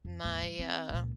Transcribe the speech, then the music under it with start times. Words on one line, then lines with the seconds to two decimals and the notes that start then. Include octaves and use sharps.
my, uh
0.05 F2
0.24 D#2 G#2
0.43 G3
0.59 C4
0.90 C#2 A#2